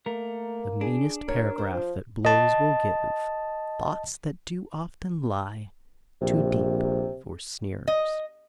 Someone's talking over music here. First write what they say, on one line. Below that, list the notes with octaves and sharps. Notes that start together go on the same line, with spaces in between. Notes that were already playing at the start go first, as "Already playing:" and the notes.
The meanest paragraph that blows will give Thoughts that do often lie too deep for sneers.
A3 A#3 A#4
D4 G#4
F#4 A#4 C#5
C5
F3
D#5 A5
A#1 C3
D#5